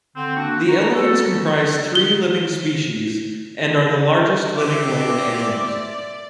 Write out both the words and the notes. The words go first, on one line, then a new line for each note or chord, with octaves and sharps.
The elephants comprise three living species and are the largest living land animals.
D3 C4
A#3 D4 F#4
A#5 C#6
F#4 A4
G7
C4 G4 D5 E5 D6